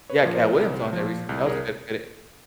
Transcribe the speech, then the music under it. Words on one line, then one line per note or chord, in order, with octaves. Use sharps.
He had Katt Williams on there recently, that was a good good e
B4 C#5
A#2 F3
A#4 C5
C2
A#2 F3
C2
G#4 A#4